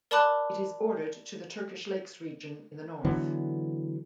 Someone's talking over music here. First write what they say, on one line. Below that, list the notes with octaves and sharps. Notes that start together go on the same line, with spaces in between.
It is bordered to the Turkish Lakes Region in the north.
A#4 D5 A5 B5 D6 F#6
D3 E3 F#3 B3